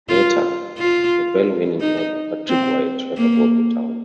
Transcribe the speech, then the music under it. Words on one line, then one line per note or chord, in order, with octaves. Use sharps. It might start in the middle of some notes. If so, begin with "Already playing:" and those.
Later, Nobel winning author Patrick White wrote about the town.
F4
F4
D#4
C4
A#3